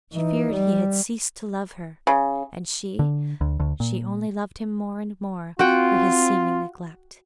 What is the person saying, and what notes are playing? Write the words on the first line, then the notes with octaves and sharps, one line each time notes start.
She feared he had ceased to love her; and she--she only loved him more and more for his seeming neglect.
E3 D#4
G3
C#3
D3
D2
D2
A#2
C4 F4 F#4 F#5 G5